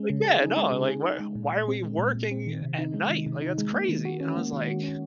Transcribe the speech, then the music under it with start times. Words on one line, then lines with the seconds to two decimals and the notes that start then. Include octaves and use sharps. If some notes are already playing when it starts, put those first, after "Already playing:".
like, "Yeah, no, like, why are why are we working at night? Like, that's crazy." And I was like,
Already playing: G#3 C#4
0.10 C#3
0.25 G#4
0.41 D#4
0.57 G#3
0.72 C#3
0.88 G#4
1.05 D#4
1.20 G#3
1.35 A#2
1.52 A#2
1.68 C4
1.84 G#3
1.99 A#2
2.15 A#2
2.31 C4
2.47 D#3
2.62 C3
2.79 D#4
2.94 G#3
3.10 D#3
3.26 C3
3.42 D#4
3.58 G#3
3.73 A#3
3.89 D#3
4.05 F#4
4.21 C#4
4.37 A#3
4.53 D#3
4.68 F#4
4.84 C#4